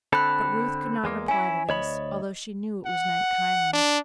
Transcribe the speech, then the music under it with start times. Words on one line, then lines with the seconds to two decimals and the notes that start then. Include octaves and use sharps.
But Ruth could not reply to this, although she knew it was meant kindly.
0.13 D3 C4 A4 B5 F#6
1.04 E2 G#3 A#3
1.28 C#4 E4 G#5
1.69 D2 C#5 D#5 B5
2.86 F#5
3.73 D4